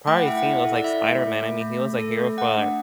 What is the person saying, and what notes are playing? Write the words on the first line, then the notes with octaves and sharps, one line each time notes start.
probably seen was, like, Spider-Man. I mean, he was a hero for
A3 G5
F#5
E4 E5
F#5
E4
A4
D5
E4 E5
A3
A3
A3
A3
A3
A4
A3
A3 F#5
D4